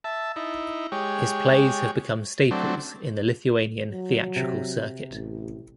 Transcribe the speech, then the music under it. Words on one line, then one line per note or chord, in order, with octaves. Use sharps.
His plays have become staples in the Lithuanian theatrical circuit.
E5 A5
D#4 E4
G#3 G4 C#5
F#3 A3 C4 D4
F#3
C3
A1